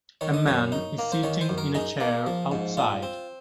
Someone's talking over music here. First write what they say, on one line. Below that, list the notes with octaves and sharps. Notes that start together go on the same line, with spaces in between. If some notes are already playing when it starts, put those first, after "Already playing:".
A man is sitting in a chair outside.
D#3 C#5
D#5
F#2 C#5
D#4
A#3
C5
D#3 C#5
C5
F#2
A#4
D#4 G#4
A#3
F3
G#2
F4
C4